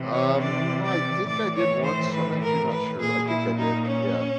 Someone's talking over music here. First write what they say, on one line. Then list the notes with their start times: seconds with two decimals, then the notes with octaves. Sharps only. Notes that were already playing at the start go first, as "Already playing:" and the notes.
Um, I think I did once, I'm actually not sure. I think I did, yeah.
Already playing: C3 E3
0.12 C#5
0.41 D5
0.84 D5
1.27 A2 E3 D5
1.56 C#5
1.84 C5
2.13 B4
2.42 A#4
2.71 B4
2.99 A#2 G#4
3.28 E4
3.57 D#4
3.85 C#4